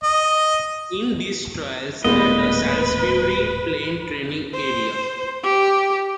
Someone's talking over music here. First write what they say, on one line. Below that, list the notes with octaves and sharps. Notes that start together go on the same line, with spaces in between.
In these trials at the Salisbury Plain training area.
D#5
D#1 A2 G3 G#3 A#3 B3 B4 D#5
C5
G4